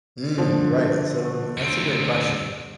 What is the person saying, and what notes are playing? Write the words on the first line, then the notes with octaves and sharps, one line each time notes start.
Mm, right, so that's a great question,
D3 F3
D2 C4